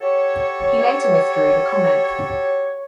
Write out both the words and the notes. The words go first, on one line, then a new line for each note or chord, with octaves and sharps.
He later withdrew the comment.
F#4 G4 A4 C#5